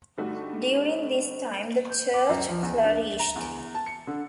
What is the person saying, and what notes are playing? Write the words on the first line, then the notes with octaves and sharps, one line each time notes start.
During this time the church flourished.
G2 D3 G3 A3 D#4 F#4
G6
D6
F#2
F3
E2
D4
A#5
E2
A5
C#7
D3